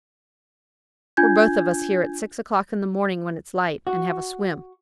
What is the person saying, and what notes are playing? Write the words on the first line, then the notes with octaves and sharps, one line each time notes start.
We're both of us here at six o'clock in the morning, when it's light, and have a swim.
D4 F4 G#5 G6 G#6
F#4